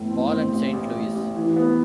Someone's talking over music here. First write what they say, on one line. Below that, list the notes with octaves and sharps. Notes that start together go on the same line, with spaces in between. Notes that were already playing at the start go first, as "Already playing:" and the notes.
Paul and Saint Louis.
Already playing: G1 A2 E3
C4
C4
A1
A1
A1
A1
E3
B3